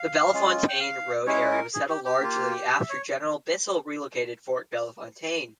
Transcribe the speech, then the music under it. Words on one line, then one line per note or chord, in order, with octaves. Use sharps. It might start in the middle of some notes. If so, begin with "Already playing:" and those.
The Bellefontaine Road area was settled largely after General Bissell relocated Fort Bellefontaine.
Already playing: F5
G#3 C#4 F4
G5
F5
G#3 C#4 E4 C#5
A#4
G#4
G4
G4
A#3 F4
E5
C#5